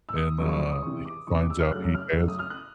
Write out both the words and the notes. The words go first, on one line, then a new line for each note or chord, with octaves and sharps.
And, uh, he finds out he has
E6
D#6
F2 C#3 F#3 C#6
C#6
C#6
D#6
E2 C3 E3 C#6
D6
E2 C3 E3 C#6
D6
E6
F6
F#2 C#3 F#3 A3 F#6
E6
F6
F#2 C#3 F#3 A3 E6
D#6
F6
F#6